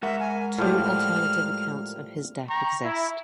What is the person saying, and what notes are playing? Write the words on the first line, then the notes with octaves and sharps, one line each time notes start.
Two alternative accounts of his death exist.
G#3 A#4 E5 F#5
G#5
A2 F3 G3 F6
G5 A#5 C#6
E4